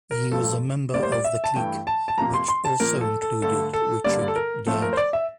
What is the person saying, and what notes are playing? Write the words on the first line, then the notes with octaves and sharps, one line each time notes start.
He was a member of The Clique, which also included Richard Dadd.
A#4
G2 F3 A3 A4
A2 G3 A#3 D5
C5
D5
E5
A5
G2 E3 A3 G5
A5
A5
F2 C3 F3 A#3 A#5
C6
C6
A5
A#2 F3 A#3 A#4
A4
A4
G2 D3 A3 A4
A4
G2 D3 G3 A#3 D5
A4
A#4
A#2 F3 A3 A4
A#4
C5
D5
E5